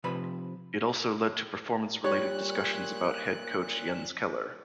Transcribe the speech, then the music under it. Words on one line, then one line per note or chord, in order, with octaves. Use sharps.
It also led to performance related discussions about head coach Jens Keller.
C3 F3 B4 C5 B5
A#2 G3 C#5 F#6